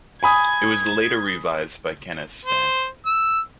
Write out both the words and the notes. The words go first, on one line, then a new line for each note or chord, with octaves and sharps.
It was later revised by Kenneth Stamp.
G#5 B5 D#6 G#6
C5
E6